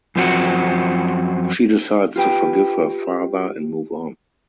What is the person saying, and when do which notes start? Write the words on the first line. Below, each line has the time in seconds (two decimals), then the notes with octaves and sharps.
She decides to forgive her father and move on.
0.16 F#2 F3 C4 F#4
2.16 F4 G4 B4 G5